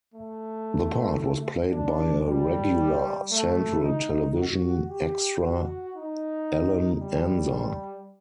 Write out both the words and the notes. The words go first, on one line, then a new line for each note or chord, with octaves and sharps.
The part was played by a regular Central Television extra Allan Anza.
A3
D4
G3
A3
D#4
F#4
G4
F#4
D#4
G3